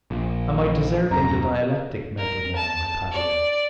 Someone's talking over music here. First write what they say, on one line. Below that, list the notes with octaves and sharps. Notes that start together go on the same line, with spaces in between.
Am I deserting the dialectic method now, Hypatia?....
A#1
D#1 F#2 A#5
A#4
A5
D5